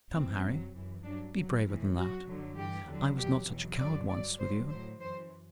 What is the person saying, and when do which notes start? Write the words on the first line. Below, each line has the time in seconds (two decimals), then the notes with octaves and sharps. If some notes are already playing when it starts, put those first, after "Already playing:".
Come, Harry, be braver than that. I was not such a coward once with you.
0.13 E2 C3 E3 C4
0.43 F#2 F#3
0.74 F#2 E3
1.04 G2 F#3 D4
1.35 G2 F#3
1.66 A2 E3
1.96 F#2 F#3 F#4
2.26 F#2 D3 F#3
2.56 G2 E3 G4
2.87 E2 D3 F#3
3.17 E2 B2 F#3 G4
3.48 E2 B2 F#3
3.78 F#2 D3 F#3 D5
4.09 G2 D5
4.13 F#3
4.39 G2 D3 F#3 C5
4.69 A2 F#3 C5
5.00 F#2 E3 C5